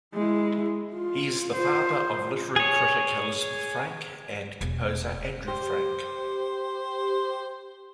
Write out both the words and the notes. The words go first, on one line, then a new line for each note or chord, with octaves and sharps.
He is the father of literary critic Elizabeth Frank and composer Andrew Frank.
G#3 E4
F4
F4 C5
G#4 C#5
E1
G4 C5